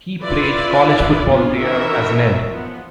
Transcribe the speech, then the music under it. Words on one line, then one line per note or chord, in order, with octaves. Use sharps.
He played college football there as an end.
E4 F4 B4 D5
B3 C#4 D4 F4
E3 C#4 D#4 F#4 A#4 E5
F3 B3